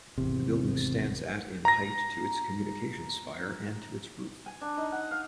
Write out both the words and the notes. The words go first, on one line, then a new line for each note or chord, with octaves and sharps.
The building stands at in height to its communications spire and to its roof.
G#1 E2 C3
A#5 A#6
G#5
D4
D#4
F#5
F5